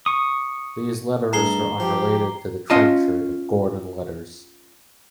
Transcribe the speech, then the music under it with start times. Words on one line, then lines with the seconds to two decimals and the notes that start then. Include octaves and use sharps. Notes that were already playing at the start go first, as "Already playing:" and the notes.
These letters are unrelated to the Trenchard and Gordon letters.
0.06 C#6 D#6
1.33 G2 A3 G#4 A#5 C7 G7
1.80 F3 G4
2.70 C#4 F4 D#5 A5